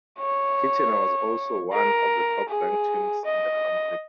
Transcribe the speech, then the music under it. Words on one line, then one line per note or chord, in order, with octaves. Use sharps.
Kitchener was also one of the top-ranked teams in the country.
C#5
A#4
G#4
D#5